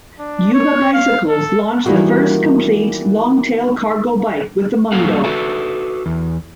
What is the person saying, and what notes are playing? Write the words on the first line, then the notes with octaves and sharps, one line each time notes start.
Yuba Bicycles launched the first complete longtail cargo bike with the Mundo.
D4
C#5
F5
A4
D#3 E3 G3 A#3 B3 F#4
F#3 G3 A#3 A4 F5 F#5
F#4 A4 B4 E5
E2